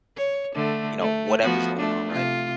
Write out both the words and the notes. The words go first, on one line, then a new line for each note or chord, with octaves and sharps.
you know, whatever's going on, right?
C#5
D3 A3
A3
F3 B3 F#4
A3 D4
C3 F4